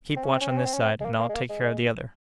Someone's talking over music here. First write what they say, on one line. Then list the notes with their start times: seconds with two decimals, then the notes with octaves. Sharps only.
"Keep watch on this side, and I'll take care of the other."
0.16 C4
0.24 C#4
0.33 C4
0.41 C#4
0.49 C4
0.58 C#4
0.66 C4
0.74 C#4
0.82 C4
1.01 G#3
1.05 A#3
1.20 A#3
1.29 G#3
1.35 A#3
1.49 G#3